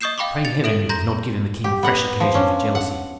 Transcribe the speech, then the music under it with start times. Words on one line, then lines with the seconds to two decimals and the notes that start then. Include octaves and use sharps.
Pray Heaven you have not given the king fresh occasion for jealousy!
0.01 D#5 C#6 D#6 G6 C7 E7
0.18 F5 G5 B5 C#6 D6
0.45 A6 C#7 F7
0.64 A4 E5 D7 F#7
0.89 A#5 C6 G6 A#6
1.64 G4
1.83 B3 F#5 A#5
2.20 F3
2.34 C#4 D4
2.75 F#5